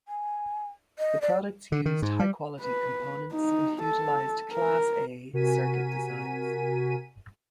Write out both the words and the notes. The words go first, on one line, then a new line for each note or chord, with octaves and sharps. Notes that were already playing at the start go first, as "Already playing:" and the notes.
The products used high-quality components and utilized Class-A circuit designs.
G#5
D#5
D5
D3
D#3
G#2
G3
B4
D#4
A4
A#4
C3 F#4 A#4 G#5 B6 D#7